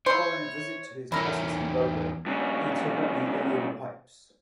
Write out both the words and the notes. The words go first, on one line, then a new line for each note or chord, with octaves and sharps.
Following a visit to his cousins in Dublin he took up uilleann pipes.
E4 C5 C#5
E2 C#4 E4 A#4
G2 C#3